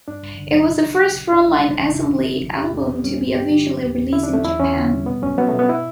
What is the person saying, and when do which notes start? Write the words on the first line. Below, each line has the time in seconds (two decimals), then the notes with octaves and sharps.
It was the first Front Line Assembly album to be officially released in Japan.
0.08 G2 D4
0.24 G2
0.38 D3
0.54 F#3
0.70 B2
0.85 F#3
1.01 F#3
1.17 B2
1.32 F#2 D4
1.48 G3
1.64 C#3
1.79 E3
1.94 F#2 E4
2.10 F#2
2.26 C#3
2.41 F#3
2.57 E2 G4
2.72 E2 A3
2.88 B2 B3
3.03 G3 C#4
3.20 G2
3.35 G2 G4
3.50 D3
3.66 F#3
3.82 E2
3.97 E2
4.13 D3 E4
4.23 D4
4.29 F#3 A3
4.44 E2 E4
4.60 E2 C#4
4.76 D3
4.91 G3
5.06 B2 B3
5.22 F#3 C#4
5.38 F#3 B3
5.48 B2 A3
5.59 B3
5.69 E4